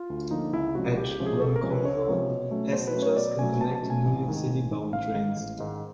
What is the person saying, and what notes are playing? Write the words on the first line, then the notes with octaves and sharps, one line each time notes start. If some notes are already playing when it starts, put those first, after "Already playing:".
At Ronkonkoma, passengers can connect to New York City bound trains.
Already playing: F4
D2
D3 F3 A#3 D#4
C#2 E4
C3 F3 G#3 C#4 F#4
C#2 G4
G4
C3 F3 G#3 C#4
G#4
C#2 A4
A#4
C3 F3 G#3 C#4
B4
C#2 C#5
C3 F3 G#3 C#4
B2
F#3 A3 C#4
B2 C5
B4
F#3 A3 C#4
C#5
B2 D5
F#3 A3 C#4 G#5
B2 A5
A5
F#3 A3 C#4
G#5
A1
G#2 D#3 G#3
A1
G#2 D#3 G#3
A1 F5
G#2 D#3 G#3
A1
G#2 D#3 G#3